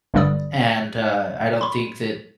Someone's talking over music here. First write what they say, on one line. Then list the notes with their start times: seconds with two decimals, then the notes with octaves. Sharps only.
And, uh, I don't think that
0.14 G1 G2 D3 G3 D5 D#6
1.61 B5 C6